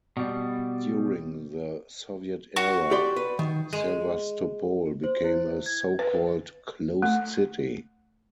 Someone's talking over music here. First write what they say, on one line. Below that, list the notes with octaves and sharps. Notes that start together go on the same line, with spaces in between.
During the Soviet era, Sevastopol became a so-called "closed city".
B2 G3
F#4
G4 D5 C6
B4
D#3
G#3
C5
E4
G#6
B4
A3